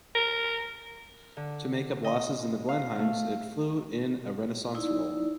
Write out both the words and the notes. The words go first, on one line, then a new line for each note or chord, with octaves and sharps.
To make up losses in the Blenheims it flew in a reconnaissance role.
A#4
D3
D#5
F5
A3
D#4 E4 D5